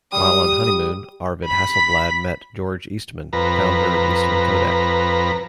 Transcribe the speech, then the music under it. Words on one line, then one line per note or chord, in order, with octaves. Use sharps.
While on honeymoon, Arvid Hasselblad met George Eastman, founder of Eastman Kodak.
G3 D#6
B5 B6
F2 B4 A#5